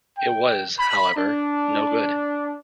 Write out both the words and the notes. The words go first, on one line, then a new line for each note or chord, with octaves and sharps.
It was, however, no good.
G5
B5
D4